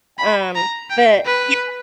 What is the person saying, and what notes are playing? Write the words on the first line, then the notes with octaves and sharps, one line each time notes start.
Um, but, yeah.
B5
A#5
G5
B4